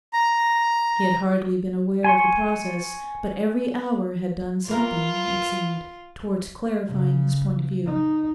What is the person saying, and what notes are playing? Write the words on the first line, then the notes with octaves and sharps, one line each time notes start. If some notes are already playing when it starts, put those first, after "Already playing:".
He had hardly been aware of the process, but every hour had done something, it seemed, towards clarifying his point of view.
A#5
G#5 C6 C#6
E3 F4 A#4
C#3
D#4